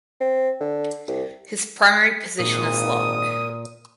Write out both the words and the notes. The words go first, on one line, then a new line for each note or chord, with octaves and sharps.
His primary position is lock.
C4
D3
C2
G#1 A#2 A#4 D#6